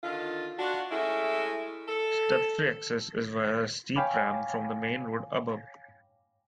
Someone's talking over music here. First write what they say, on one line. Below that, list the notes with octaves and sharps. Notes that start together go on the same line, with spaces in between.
Step-free access is via a steep ramp from the main road above.
D3 D#3 F4
D4 F4 F#4
G#3 A3 C#4 E4
A4
C#5 F5 G5 G#5 B5 D6